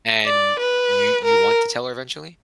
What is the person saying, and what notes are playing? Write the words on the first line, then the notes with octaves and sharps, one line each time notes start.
And you you want to tell her eventually?
D5
B4
A#4